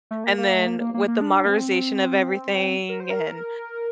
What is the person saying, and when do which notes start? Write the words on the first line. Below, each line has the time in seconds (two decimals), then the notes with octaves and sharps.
and then with the modernization of everything, and
0.11 A3
0.24 A#3
0.38 A#3
0.53 A3
0.66 A#3
0.80 A#3
0.94 A#3
1.08 A#3
1.21 D4
1.45 A#3
1.50 C4
2.89 A#4
3.00 C5
3.10 A#4